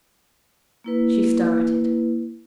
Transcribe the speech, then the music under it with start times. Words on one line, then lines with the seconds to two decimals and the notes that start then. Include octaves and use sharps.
She started.
0.84 A#3 E4 B4